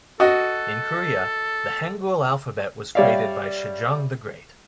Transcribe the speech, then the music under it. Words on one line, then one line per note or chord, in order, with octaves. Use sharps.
In Korea, the Hangul alphabet was created by Sejong the Great.
F#4 A4 D#5
G3 C#5 D5 E5 F5